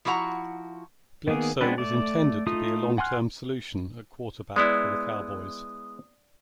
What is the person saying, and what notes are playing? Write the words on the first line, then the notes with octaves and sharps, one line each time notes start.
Bledsoe was intended to be a long-term solution at quarterback for the Cowboys.
F3 E4 F#4 F#5 A#5
D#3 A#3 B3 G#4
G#3 B3 C4 D4 B4
A3 D5
A3 D#4 F4 D#6
F#5 G#5 C6 F6 F#6
G#3 B3 E4 D5 D#6